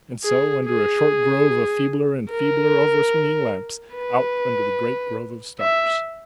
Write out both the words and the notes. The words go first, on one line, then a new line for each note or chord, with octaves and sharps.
And so, under a short grove of feebler and feebler over-swinging lamps, out under the great grove of stars.
G#4
G#4
A#4
B4
E5